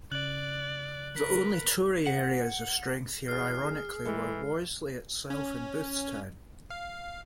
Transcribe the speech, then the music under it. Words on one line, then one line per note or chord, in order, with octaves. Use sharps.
The only Tory areas of strength here ironically were Worsley itself and Boothstown.
C#3 D5 F#6 F#7
A#4 B4 B6
F#5
E2 G#4 F6 C7
E3 G#3 A4
C#4
F5